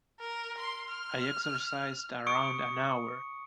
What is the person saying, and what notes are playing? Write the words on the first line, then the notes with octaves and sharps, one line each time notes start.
I exercised around an hour.
A#4
C6
F6
C#6 D#6 C#7 D7